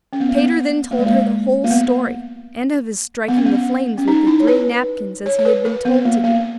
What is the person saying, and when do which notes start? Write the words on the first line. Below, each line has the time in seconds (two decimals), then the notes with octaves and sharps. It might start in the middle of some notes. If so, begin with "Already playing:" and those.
Peter then told her the whole story, and of his striking the flames with the three napkins as he had been told to do.
0.13 C#4
0.20 B3
0.29 A#3
0.37 B3
0.91 A#3
0.99 G#3
1.07 A#3
1.64 A#3
1.70 B3
3.28 B3
3.37 C#4
3.46 B3
3.98 C#4
4.08 D#4
4.27 E4
4.40 C#5
4.47 B4
5.26 C#5
5.39 C#5
5.45 B4
5.65 A#4
5.85 B3
6.05 A#3
6.24 A#3